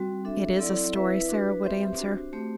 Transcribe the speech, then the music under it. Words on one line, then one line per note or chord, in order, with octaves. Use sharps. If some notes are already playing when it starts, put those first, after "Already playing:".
"It is a story," Sara would answer.
Already playing: G3 C4 F#4
D4 A4 E5
F#3 C4 E4 A4 D5
E4 B4 E5
D4 F#4 B4
C4 G4 C5 E5
D4 F#4 C5
A3 C4 G4 C5